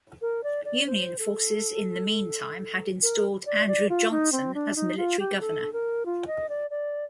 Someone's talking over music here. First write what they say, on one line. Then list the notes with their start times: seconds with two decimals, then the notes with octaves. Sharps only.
Union forces, in the mean time, had installed Andrew Johnson as military governor.
0.21 A#4
0.43 D5
0.65 D5
0.86 C5
1.19 A4
3.03 A#4
3.46 D5
3.68 D5
3.89 F4
4.11 D#4
4.32 C4
4.54 D4
4.76 D#4
4.97 F4
5.19 G4
5.40 A4
5.73 A#4
6.06 F4
6.27 D#5
6.49 D5
6.70 D5